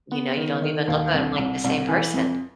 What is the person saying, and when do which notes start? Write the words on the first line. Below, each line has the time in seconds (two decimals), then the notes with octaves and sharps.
You know, you don't even look at 'em like the same person.
0.12 B3
0.37 D#3
0.62 D#3
0.88 D#2
1.13 C2
1.38 C2
1.64 C2
1.89 E3
2.14 F2